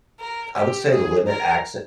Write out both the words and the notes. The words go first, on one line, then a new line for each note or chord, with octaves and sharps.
I would say to limit acce an
A#4
G4
G#4
A#4